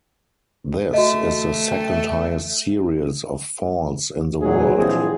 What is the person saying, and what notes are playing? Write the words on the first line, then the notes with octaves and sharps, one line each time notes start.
This is the second-highest series of falls in the world.
A3 F#4 D#5
G5
D2 A#2 F#3 G#3 G#4
A#1 E3 F3 G3 C4 G#4